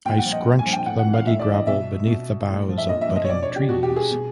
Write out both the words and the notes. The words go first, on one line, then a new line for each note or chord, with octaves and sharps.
I scrunched the muddy gravel beneath the boughs of budding trees.
A#2 G5
F#5
F3
D#5
A#2
G#5
F3
G5
A2 F#5
F#5
E3
F5
A2 E5
D5
E3
D#5
B2 E5
B2
A2
F3
E5
A#2 D#5
E5
F3
D#5
C#5
B2 D5
C#5
G4
B2 F#4
G4
G#4
B2